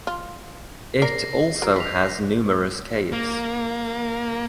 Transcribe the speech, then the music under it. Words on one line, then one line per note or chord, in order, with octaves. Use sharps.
It also has numerous caves.
F4
A#4 D5 A#6 C7
F#3 A#4
D4 B6 F7
A#3